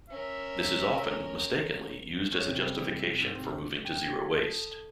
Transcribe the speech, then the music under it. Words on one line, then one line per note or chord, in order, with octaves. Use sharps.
This is often, mistakenly used as a justification for moving to Zero Waste.
C#4 A#4 E5
C#4
C3
G3
E3
E5
G#2
C4
G5
G#6
A4